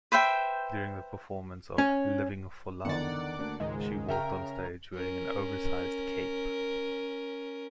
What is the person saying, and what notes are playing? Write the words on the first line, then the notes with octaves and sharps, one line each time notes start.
During the performance of "Living for Love", she walked onstage wearing an oversized cape.
B4 C5 E5 G5
C#4
E2 D3 D#3 D5 F#5
D2 A#3 D4
C#2 G#2 D#3 G#3
C#3 A#4 E5 G5 A#5
C#4 A#4